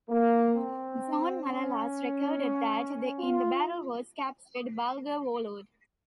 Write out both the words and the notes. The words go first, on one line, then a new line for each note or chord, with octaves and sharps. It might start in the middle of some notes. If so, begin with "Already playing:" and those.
John Malalas recorded that in the battle was captured Bulgar warlord.
A#3
C4
C#4
F4